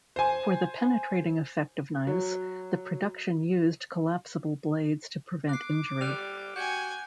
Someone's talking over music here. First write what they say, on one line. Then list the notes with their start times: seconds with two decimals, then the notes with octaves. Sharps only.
For the penetrating effect of knives, the production used collapsible blades to prevent injury.
0.16 C5 G#5
2.07 F#3
5.49 D6 F#6 C7
6.01 G3 F#6 F7
6.56 F#4 G5 G#5 G6 G#6